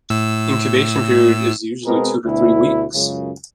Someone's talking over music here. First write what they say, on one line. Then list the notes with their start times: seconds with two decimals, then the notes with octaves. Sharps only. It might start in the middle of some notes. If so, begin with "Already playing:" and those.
Incubation period is usually two to three weeks.
0.10 A2 E6
1.86 B2 G#3 C4 G#4 A#4 B4
2.25 D2 B2 E4
2.92 C#2 F#2 C#3